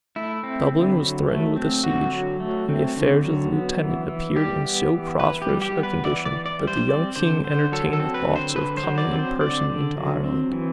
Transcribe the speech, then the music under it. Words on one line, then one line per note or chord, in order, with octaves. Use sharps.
Dublin was threatened with a siege; and the affairs of the lieutenant appeared in so prosperous a condition, that the young king entertained thoughts of coming in person into Ireland.
A3 E4
C4
D3
F#3
A3
C4
D3 F#4
F#3
A3
C4
D3
F#3
B3
E3
E3
G3 G4
B3
E3
E3 B4
G4
G3
G4
B3
B4
E3 D5
D5
E3
D5
G3
C5
C4 D5
D3 C5
D3 C5
F#3 A4
A4
C4
B4
D3
C5
D3 B4
C5
F#3
D5
C4
C5
D3 D5
D3
F#3
C4
E3